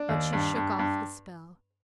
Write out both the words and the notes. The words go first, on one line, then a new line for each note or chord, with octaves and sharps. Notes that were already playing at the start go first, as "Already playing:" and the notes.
But she shook off the spell.
Already playing: D4
D#2
G2
G2
G2